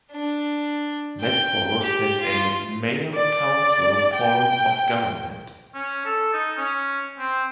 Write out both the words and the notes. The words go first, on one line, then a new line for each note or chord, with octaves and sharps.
Medford has a mayor-council form of government.
D4
G5
G4
F4
D5
G5
C#4
A4
D#4
C#4
C4